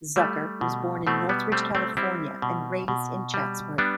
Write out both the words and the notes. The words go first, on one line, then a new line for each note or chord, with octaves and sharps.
Zucker was born in Northridge, California, and raised in Chatsworth.
G3 A3
B2
B2 A3 C4
G3 B3
G3 A3 C4
A3 C4
G3 C4 E4
B2
B2
G3
G3 B3 D4